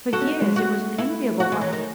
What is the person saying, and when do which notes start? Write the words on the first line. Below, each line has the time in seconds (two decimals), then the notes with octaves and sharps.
For years it was an enviable one.
0.13 F#4 A4
0.21 C#4
0.27 D#4
0.42 G#3
0.56 A3 F#4
0.98 E4
1.40 F#4
1.52 G#3
1.61 F#3
1.73 D#3